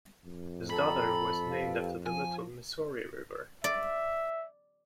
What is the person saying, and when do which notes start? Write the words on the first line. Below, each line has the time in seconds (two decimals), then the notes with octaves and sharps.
His daughter was named after the Little Missouri River.
0.25 F2
0.70 A4 G5 A#5 B5
1.51 G4 B4 F5
2.07 F3 G#5
3.64 D5 E5